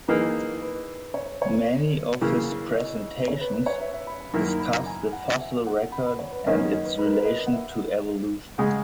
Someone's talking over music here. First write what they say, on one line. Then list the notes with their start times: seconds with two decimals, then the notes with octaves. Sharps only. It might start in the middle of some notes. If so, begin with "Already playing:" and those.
Many of his presentations discuss the fossil record and its relation to evolution.
0.08 E3 A#3 D#4 G#4 B4
0.62 B4
1.14 C#5
1.42 C#5
2.21 C#3 E3 A#3
2.75 D#5
3.28 C#5
3.41 B4
3.54 B4
3.66 C#5
3.80 E5
3.93 E5
4.07 B5
4.20 B5
4.33 F#2 D#3 A#3 E4 A#4 A#5
4.60 B5
4.75 A#5
4.86 G#5
5.12 F#5
5.40 E5
5.67 F#5
5.92 B5
6.06 B5
6.19 C#5
6.32 B4
6.45 F#2 D#3 A#3 C#4 B4
6.59 D#5
6.73 D#5
6.85 B4
6.99 B4
7.06 A#4
7.12 B4
7.25 D#5
7.39 D#5
7.47 F#5
7.53 E5
8.58 C#3 G#3 F#5